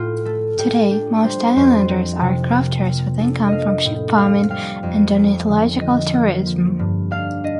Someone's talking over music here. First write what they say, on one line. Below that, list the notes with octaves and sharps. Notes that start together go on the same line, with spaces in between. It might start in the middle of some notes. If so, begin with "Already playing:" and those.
Today, most islanders are crofters with income from sheep farming and ornithological tourism.
Already playing: A2 F4
A3 A4
A2 G4
D4 G4
G3 C5
F2 C5
C4
C3
A#3
A#3
D4 A4
A#3 D#5 F5
A2
C4 F5
G3 F5
F2
A3
D3
F3 D#5
A#3
F3
G2
D4 F5
D4 D#5